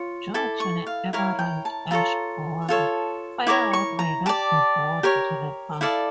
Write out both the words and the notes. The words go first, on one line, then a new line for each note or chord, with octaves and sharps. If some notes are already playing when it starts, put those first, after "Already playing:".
Due to the emerald ash borer firewood may not be brought to the park.
Already playing: F4 C#5
E4 A4 D6
C#6
F5
E4 A#4 C#5 F5
G5
A5
F4 A4 C#5 A#5
F4 A4 C#5
E4 A#4 C#5 D6
C#6
A#5
G4 D5 A5
G4 A#4 C#5
E4 A4 D5 F5